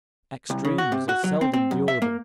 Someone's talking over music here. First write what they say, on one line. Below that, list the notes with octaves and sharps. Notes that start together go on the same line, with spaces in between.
Extremes are seldom durable.
C2
C#3
F#4
C3
F#4
F#3
C4
C4
F#2
E5
A#3